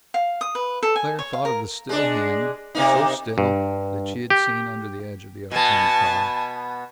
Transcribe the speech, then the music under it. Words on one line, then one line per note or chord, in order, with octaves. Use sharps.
Claire thought of the still hand--so still--that she had seen under the edge of the upturned car.
F5
D#6
B4
A4
G#5
C#5
F5
A#4
G#3 D4
C3 A#3 D#4
G2
G4
B2 B3 G#5 A5